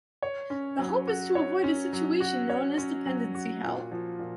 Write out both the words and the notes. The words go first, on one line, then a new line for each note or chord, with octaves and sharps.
The hope is to avoid a situation known as dependency hell.
C#5
C#4
F#3
F#4
C#5
C#4
F#3
F#4
C#5
C#4
F#3
F#4
A#2
F3
A#2